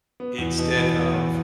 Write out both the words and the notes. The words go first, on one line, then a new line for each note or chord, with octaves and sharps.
instead of,
B3
E2
B2
E2
B3
E2